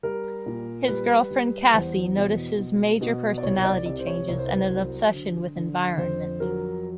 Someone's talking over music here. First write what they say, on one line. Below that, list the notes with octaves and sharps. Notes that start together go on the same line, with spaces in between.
His girlfriend Cassy notices major personality changes and an obsession with environment.
G3 A#4
A#2
G3 B4
G3
E2 C5
B2
B2
B2
D5
C2 C#5
D5
C3 D5
C5
C#5
C2 C#5
C5
B4
C5
F#3
D3
D3
F2 C5
F#3 A#4